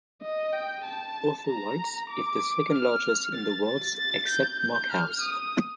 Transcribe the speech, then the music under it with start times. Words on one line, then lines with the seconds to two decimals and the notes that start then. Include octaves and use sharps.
Other White is the second largest in all wards except Markhouse.
0.22 D#5
0.53 G5
0.85 A5
1.47 A#5
2.10 D6
2.72 F6
3.35 A6
3.65 A6
3.97 A6
4.28 G6
4.60 G6
4.91 F6
5.21 D#6